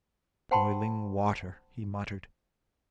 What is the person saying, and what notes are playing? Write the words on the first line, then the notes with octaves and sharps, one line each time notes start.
"Boiling water!" he muttered.
C5 F#5 G5 A5 B5 C6